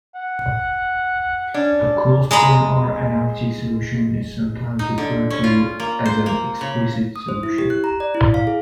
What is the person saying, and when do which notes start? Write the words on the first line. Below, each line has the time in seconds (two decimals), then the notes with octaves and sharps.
A closed-form or analytic solution is sometimes referred to as an explicit solution.
0.15 F#5
1.54 C#4 D4
2.31 G#3 D#5 A#5 B5
4.79 D#4
4.98 D3
5.30 C#4
5.44 F4
5.80 A#3
6.06 C5
6.26 A#3
6.61 C#3
7.16 D#6
7.29 C5
7.43 E4
7.58 G4
7.70 F#6
7.84 A#5
8.00 D5
8.15 E4
8.34 F5
8.47 G#4